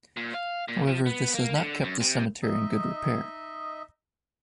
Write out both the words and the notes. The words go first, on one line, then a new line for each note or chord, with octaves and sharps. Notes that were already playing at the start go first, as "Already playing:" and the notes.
However, this has not kept the cemetery in good repair.
A#2
F5
A#2
F3
B3
A#3
D3
F#2
C3
D#4 D#5 E5